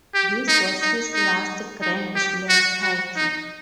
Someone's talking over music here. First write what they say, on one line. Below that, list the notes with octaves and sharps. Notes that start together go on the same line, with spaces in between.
This was his last Grand slam title.
G4
D#4
D#4
D#4
D#4
G4
F#4
F#4
D#4